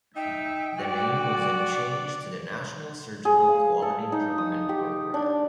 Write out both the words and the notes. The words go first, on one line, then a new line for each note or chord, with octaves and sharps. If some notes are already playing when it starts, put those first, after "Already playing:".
The name was then changed to the National Surgical Quality Improvement Program.
D#4 E5 G5
F#4 D5
G#4
F5
A4
D#4
D#6
G4
D4